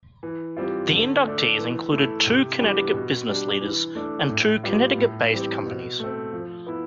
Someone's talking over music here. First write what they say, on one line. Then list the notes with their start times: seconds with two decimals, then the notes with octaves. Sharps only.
The inductees included two Connecticut business leaders and two Connecticut-based companies.
0.23 E3
0.57 G3 C4 F4
0.91 D3
1.25 A3 D4
1.59 E3
1.92 A3 E4
2.27 C3
2.60 E3 G3 B3 D4
2.93 B2
3.28 G3 D4
3.61 E3
3.95 A3 D4
4.29 A2
4.64 G3 B3 F4
4.98 A2
5.32 E3 G3 C4
5.66 B2
6.00 A3 C4
6.32 F3
6.67 B3 E4